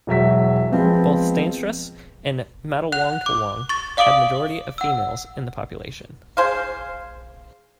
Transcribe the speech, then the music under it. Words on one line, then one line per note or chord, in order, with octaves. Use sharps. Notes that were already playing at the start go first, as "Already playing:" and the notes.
Both Steynsrus and Matlwangtlwang had majority of Females in the population.
E1 F#3 E5 B6
F3 G#3 B3 C4
F#5 F#6 F7
D6
C#6 A6
D5 F5 D6 D#6 D7 F#7
F#5 E6
G#4 C5 F5